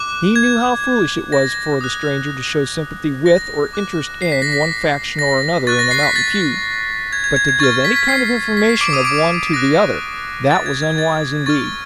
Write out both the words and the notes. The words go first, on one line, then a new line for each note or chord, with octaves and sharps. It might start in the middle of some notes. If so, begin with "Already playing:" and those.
He knew how foolish it was for the stranger to show sympathy with, or interest in, one faction or another in a mountain feud, but to give any kind of information of one to the other--that was unwise indeed.
Already playing: D6 F#6
G#6
A#6
D#6 F#6
A#6
D6 F#6
C7
B6
A#6
B6
A#6
C#6 F#6 A6
A#6
C7
B6
A6
G#6
G#6
G#6
G#6
C#6 F6 A6
B6
B6
C7
B6
C7
D6 D7
D#6 D#7
D6 D7
D6 F#6 A#6
A6
G#6
G#6
A6
C#6 F6 A6